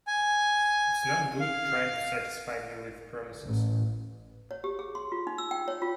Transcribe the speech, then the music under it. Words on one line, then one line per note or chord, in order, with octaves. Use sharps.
It's no good trying to satisfy me with promises.
G#5
F5
A1
C#5
G4
G#4
C6
F4
D#4
E6
G5
C#5
F4